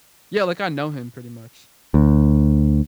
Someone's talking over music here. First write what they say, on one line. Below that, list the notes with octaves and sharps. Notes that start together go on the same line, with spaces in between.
Yeah like, I know him pretty much.
D2